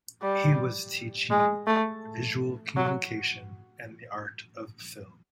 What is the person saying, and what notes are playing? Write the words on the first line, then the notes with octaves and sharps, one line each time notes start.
He was teaching visual communication and the Art of Film.
G3
G#3
A3
F#3